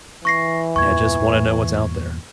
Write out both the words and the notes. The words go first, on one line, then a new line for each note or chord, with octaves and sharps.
and just wanna know what's out there,
E3 C#6 A#6 C7
E2 G2 A#2 C#6 G#6